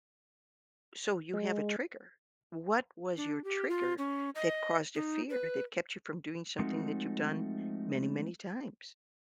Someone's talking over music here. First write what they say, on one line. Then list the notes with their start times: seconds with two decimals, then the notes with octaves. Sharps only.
so you have a trigger. What was your trigger that caused a fear that kept you from doing something that you've done many, many times?
1.34 G#3
3.17 D4
3.44 G4
3.69 F4
3.98 C#4
4.35 D#5
4.95 D#4
5.30 B4
6.59 F3 G#3 A3 C4 D#4 F#4